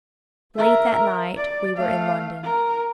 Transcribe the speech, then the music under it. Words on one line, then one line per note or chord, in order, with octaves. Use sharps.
Late that night we were in London.
A#4 E5
D5
A3 F5
A#4